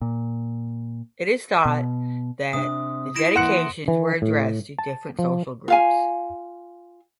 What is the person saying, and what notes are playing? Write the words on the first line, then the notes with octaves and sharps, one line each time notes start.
It is thought that that the dedications were addressed to different social groups.
A#2
B2
C3 C4 D4 D#6
E4 A#6 D7 E7
E3 A#3 F#5 C6 F#6 C#7
E3
A2
A5
F3
F4 F5 G#5